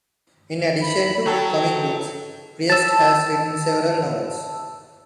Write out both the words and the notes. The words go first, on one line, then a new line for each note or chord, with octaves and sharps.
In addition to comic books, Priest has written several novels.
B5
F#3 A4 G5
A5 E6